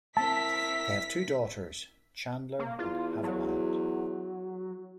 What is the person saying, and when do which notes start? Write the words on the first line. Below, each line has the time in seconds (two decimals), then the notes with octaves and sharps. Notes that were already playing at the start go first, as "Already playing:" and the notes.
They have two daughters, Chandler and Haviland.
0.17 C4 E4 A#4 E5 A5 B6
2.59 A#3
2.79 E2 F4
3.23 F#3